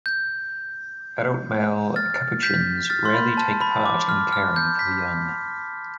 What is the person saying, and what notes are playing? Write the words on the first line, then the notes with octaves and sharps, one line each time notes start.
Adult male capuchins rarely take part in caring for the young.
G6
F6 A6
G6 B6
F6 A6
C6
B5
A5
B5
D6
F6
F6
G6
G6 B6